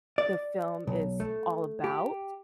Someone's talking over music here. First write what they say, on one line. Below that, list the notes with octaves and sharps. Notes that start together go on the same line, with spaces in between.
the film is all about.
D5
B1
A3
G4